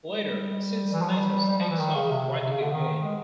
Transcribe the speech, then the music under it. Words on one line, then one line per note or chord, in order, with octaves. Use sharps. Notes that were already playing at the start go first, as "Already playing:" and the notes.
Later, Cincinnatus takes up writing again.
G#3
G3
E3
F3
F#3
G3
G3
F3
E3
D#3
C#3
C3
C3
C#3
D3
D#3
G#3